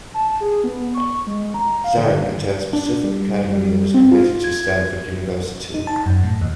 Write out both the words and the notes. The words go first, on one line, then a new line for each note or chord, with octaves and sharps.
Zhang attends Pacific Academy and is committed to Stanford University.
A5
G#4
B3
C#6
G#3
A#5
F5
D3
D4
G3
G3
C4
F4
G#6
D#4
A5
F#2
A2
D#2